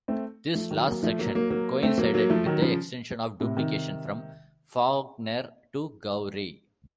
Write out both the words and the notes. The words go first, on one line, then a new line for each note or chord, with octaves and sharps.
This last section coincided with extension of duplication from Fawkner to Gowrie.
A3 C4
F3 A3
D#3 F#3
F#3 A#3
F3 A3
F#3 A#3
F#3 A#3
F#3 A#3
A3 C4
F#3 A#3
F#3 A#3
F3 A3
D#3 F#3
C#3 F3
A2 C3
C3 D#3